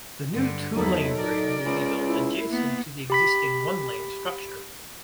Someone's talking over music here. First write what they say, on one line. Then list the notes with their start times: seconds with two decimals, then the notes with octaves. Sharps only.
The new two-lane bridge will be built adjacent to the existing one-lane structure.
0.33 G2 D3
0.75 E2 F#3 D#4 E4 A4
1.18 A#4 D5
1.66 C#2
2.09 E4
2.50 A#3 B3
3.10 G4 B5 B6